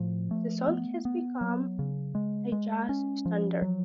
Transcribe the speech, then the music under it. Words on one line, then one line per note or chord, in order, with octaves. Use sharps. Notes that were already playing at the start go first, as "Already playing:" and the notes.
The song has become a jazz standard.
Already playing: A2 F3
A3
B3
B3
F#3
C#3
G#3
G#3
C#4
F3
F#3